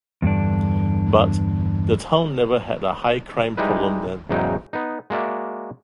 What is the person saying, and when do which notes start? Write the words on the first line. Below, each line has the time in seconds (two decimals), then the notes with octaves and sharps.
But, the town never had a high crime problem then.
0.22 E2 G2 D3 D4
3.57 G3 G#3 D#4 E4 B4
4.29 E2 G#2 C#3 F#3 D#4 G5
4.73 B3 D#4
5.10 G#3 A#3 F#4 D5 E5